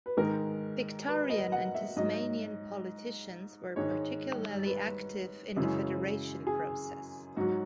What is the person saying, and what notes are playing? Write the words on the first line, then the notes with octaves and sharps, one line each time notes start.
Victorian and Tasmanian politicians were particularly active in the Federation process.
B4
G#2 D#3 G#3 A#4
B4
D#5
F#5
E5
G#2 F#3 D#5
G#2 D#3 G#3 C#5
B4
F#2 C#3 E3 G#3
G#4
G#2 F#3 F#4